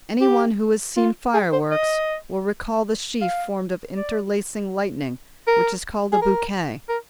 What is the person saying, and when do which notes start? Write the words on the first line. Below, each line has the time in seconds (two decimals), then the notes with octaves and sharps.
Any one who has seen fireworks will recall the sheaf formed of interlacing lightnings which is called a bouquet.
0.21 G4
0.97 F4
1.34 G#4
1.53 C5
1.71 D#5
3.21 F5
3.96 D5
5.47 A#4
6.12 G#4
6.22 A#4
6.89 A#4